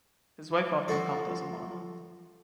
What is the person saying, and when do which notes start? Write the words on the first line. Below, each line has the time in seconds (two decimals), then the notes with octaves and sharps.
His wife often helped as a model.
0.88 F3 F#4 A4